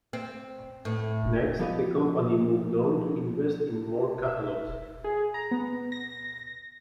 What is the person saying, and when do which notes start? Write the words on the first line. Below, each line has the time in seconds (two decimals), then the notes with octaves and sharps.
Next, the company moved on to invest in more catalogs.
0.13 C4
0.85 A2
1.59 F3 B3 G4 D5 D#5
4.28 E5
5.04 G#4
5.34 A#5
5.51 B3
5.92 A#6